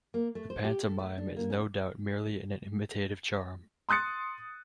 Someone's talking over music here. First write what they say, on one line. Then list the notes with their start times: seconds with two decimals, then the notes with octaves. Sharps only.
The pantomime is no doubt merely an imitative charm.
0.14 A#3
0.35 A3
0.50 C5
0.64 G4
0.83 A4
0.99 A3
1.18 D4
1.37 A#3
1.50 C#4
3.89 C6 D#6 F#6 A6 C#7